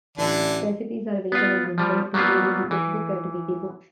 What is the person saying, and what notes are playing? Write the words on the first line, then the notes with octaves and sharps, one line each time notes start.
Recipes are available on the Internet, including the cookbook at Wikibooks.
A1 D3 E3 D4
B3 F4
F3 G3
F#3 G3 A#3 B3 F4
E3